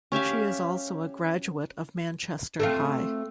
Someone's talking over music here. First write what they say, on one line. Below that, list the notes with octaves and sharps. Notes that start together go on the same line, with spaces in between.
She is also a graduate of Manchester High.
C#4 G4 E5 F5
A3 C4 F4